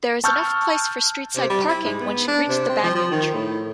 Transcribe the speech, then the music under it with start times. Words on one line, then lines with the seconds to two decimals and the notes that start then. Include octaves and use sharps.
There is enough place for street-side parking once you reach the Banyan tree.
0.24 A5 C#6 E6 F6 G6
1.36 C3
1.50 G3
1.69 E4
1.85 G#2
2.00 B3
2.28 D4
2.49 C3
2.69 C4
2.84 F3
2.95 F3
3.11 D#3
3.34 A2